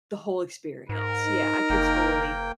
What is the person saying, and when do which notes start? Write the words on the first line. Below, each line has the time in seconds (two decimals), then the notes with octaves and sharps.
the whole experience. Yeah, I could totally s
0.89 G#2 A#4
1.25 D#4
1.70 F#1 A#3 G5